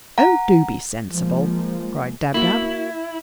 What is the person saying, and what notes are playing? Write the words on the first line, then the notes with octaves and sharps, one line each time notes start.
"Oh, do be sensible!" cried Dab-Dab.
F#5 A#5
F3 G#3 A#3
A#3 E4 F#4